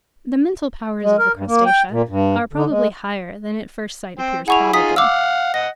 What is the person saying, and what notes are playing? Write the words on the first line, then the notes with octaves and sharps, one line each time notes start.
The mental powers of the Crustacea are probably higher than at first sight appears probable.
G#3
A#4
G2
A#3
G5
A#2
G2
D3
G#3
C4 G5
E4 G#4 F#5 C#6 F7
D#4 F4 G#4 D#6 B6
F5 F#5 D6 E6
D#5 F#5 A#6